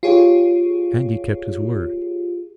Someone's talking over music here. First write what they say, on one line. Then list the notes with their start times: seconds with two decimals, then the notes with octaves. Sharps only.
And he kept his word.
0.03 F4 G4 G#4 C#5